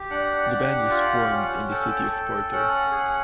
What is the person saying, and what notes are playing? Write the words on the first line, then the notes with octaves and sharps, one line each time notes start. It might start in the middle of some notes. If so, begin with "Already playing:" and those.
The band was formed in the city of Porto.
Already playing: G4
D4 F#5
G4
F4
C#4
A4 G5
A4
C#4 F#5
G#4